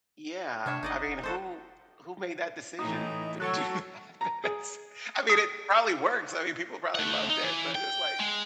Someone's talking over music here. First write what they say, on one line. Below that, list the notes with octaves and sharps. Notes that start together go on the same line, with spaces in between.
Yeah. I mean, who who made that decision to do that, it's I mean, it probably works. I mean, people probably loved it, but it was like,
C3 D4 C#5 E5
G1 D#4 D5 D#5
F1
F1 F#4 A4 C5
A2 E3 D#4
F#3 F#4 A4 C#5
A#5
G#4
D#6
A3 F#5
D#4
E3
G5
G#3